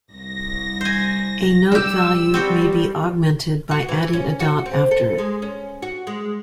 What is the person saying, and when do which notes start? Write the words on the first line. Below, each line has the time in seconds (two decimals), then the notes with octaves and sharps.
A note value may be augmented by adding a dot after it.
0.12 C2 A#6
0.81 C5 G#5
1.72 G3 G4 E6
2.34 G3 C4 F#4 G4
3.71 F#4
3.89 E3
4.13 C#4
4.40 F#4
4.66 C4
4.91 A4
5.18 G#3
5.42 C#4
5.82 F#4
6.07 G#3